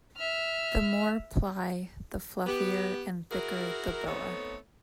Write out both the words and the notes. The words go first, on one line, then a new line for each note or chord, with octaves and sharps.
The more ply, the fluffier and thicker the boa.
E5 F6
B3 G4
E4 F#4 G#4 A#4
A3 B3 C4 D#4 A4 C#5